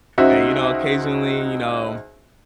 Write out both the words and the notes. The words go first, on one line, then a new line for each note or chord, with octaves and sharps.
and, you know, occasionally you know,
C#2 D#4 F#4 C5 E5